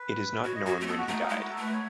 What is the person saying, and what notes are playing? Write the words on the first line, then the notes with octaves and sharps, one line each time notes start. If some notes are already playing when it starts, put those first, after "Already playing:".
It is not known when he died.
Already playing: B4
F#4 C#5
D#5
F#4 C#5
A3
B3 A4
F#4
A3 D#4
D#4
G#3 E4
F#4
A4
A3 B4
C#5